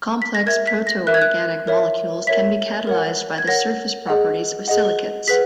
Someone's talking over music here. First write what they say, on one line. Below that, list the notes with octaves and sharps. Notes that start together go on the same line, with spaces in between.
Complex proto-organic molecules can be catalysed by the surface properties of silicates.
B6
A#6
A#4 E5 G#6
B6
A#6
A#4 E5 F#6
G#6
F#6
A#4 C#5 E5
A#4 C#5 E5 B6
A#4 C#5 F#5
G#6
A#4 C#5 F#5 A#6
G#4 D#5 F#5
G#4 D#5 F#5
G#4 B4 F#5 B6